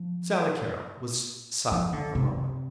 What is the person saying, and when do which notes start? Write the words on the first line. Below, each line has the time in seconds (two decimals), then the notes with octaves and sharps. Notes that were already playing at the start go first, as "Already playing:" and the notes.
Sally Carrol was silent a moment.
Already playing: F3
1.71 F3
1.93 D3
2.15 C3